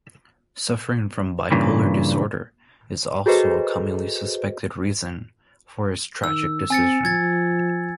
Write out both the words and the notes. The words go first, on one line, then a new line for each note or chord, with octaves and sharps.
Suffering from bipolar disorder is also a commonly suspected reason for his tragic decision.
G2 A#2 C#3 E3
F#4 G#4 A4 B4 C5 D#5
D#3 E6
C4 G#5 A6 C#7
F3 G#6 A6